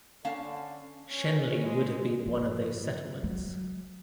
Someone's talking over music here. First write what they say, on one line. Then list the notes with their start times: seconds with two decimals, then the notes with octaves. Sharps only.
Shenley would have been one of these settlements.
0.25 D3 C#4 F5 A5
1.09 C#4
1.63 G#3
2.26 G2 F3
3.23 F#3